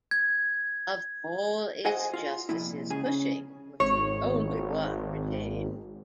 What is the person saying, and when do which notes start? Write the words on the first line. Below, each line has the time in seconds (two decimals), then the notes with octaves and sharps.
Of all its justices, Cushing was the only one retained.
0.11 G#6
1.85 G#4 C5 D#5 F#5 G#5
2.14 F4
2.49 C2 F2 A#2 E4
2.90 C#2 C#3 G#4
3.06 C#3
3.80 G#1 C#5